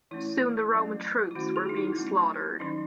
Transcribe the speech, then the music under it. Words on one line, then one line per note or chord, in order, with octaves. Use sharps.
Soon the Roman troops were being slaughtered.
E3 A3 C#4 E4
F#3 A3 C#4
E4
D#3 A3 C#4 F#4
G#4
D#4
E4
F#3 A3 C#4
D#3 F#3 C#4 D#4